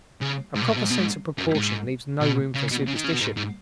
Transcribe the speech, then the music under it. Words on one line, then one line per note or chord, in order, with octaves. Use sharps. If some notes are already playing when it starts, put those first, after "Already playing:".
A proper sense of proportion leaves no room for superstition.
C#3
G#2
B2
G#2
B2
G#2
B2
G#2
F#2
G#2
B2
C#3
B2
C#3
D#3
C#3
B2
G#2
G#2